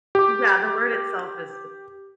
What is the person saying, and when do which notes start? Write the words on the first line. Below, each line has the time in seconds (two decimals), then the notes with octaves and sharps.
Yeah, the word itself is
0.15 G4 D6